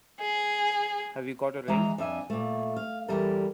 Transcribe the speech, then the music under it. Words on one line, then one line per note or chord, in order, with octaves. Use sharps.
Have you got a ring?
G#4
E3 G#3 F#5 A#5
F2 D4 E5 G#5
A#2 A3
F5
E2 E3 G3 A4 A#4